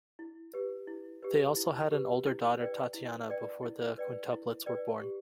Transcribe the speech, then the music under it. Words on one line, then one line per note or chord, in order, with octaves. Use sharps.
They also had an older daughter Tatiana before the quintuplets were born.
E4
G4 B4
E4
G4 B4
E4
G4 B4
E4
B4 D5 G5
E4
B4 D5 G5
E4
B4 D5 G5
E4
B4 D5 G5
G4